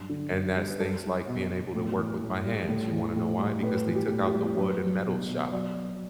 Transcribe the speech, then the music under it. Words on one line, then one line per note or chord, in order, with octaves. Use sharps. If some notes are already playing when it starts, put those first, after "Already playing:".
and that's things like being able to work with my hands, you wanna know why? Because they took out the wood and metal shop
Already playing: G2 F#3
D3
G2
G3
B4
G3 A4
G3
B2
B2
A2
E3
A2
G3
A2
E3
A2
G3
A2 B4
E3
G4
A2
G4
G3
F#3 B4
F#3
B2
B2
F#3 D5
F#3